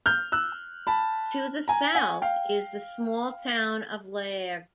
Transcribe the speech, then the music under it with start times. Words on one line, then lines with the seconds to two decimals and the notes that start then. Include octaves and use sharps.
To the south is the small town of Lairg.
0.06 F6 G6
0.32 E6 F#6
0.87 A5 B5
1.68 G#5 A#5
1.95 F#5 G#5
2.22 F5 G5